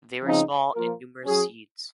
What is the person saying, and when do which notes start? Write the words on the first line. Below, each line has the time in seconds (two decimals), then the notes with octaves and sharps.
Very small and numerous seeds.
0.23 C#3 F3 C4 D#4
0.74 F3 A#3 F4 A#4
1.24 F#3 C#4 G#4